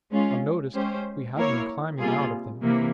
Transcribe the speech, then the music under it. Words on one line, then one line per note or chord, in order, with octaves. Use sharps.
Unnoticed, we had been climbing out of them.
G#3 C#4 F4
G#3 C#4 G4 C5
A#3 E4 A#4 C#5
C3 G3 A#3 F4 G#4
C3 E3 A#3